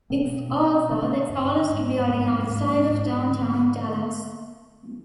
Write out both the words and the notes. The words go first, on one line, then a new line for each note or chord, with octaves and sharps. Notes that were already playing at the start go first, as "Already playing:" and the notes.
It's also the tallest building outside of Downtown Dallas.
B2 A#3 C4
B2
D3 C4 D4
G2
G#2
G#2
G#2
G#2
D3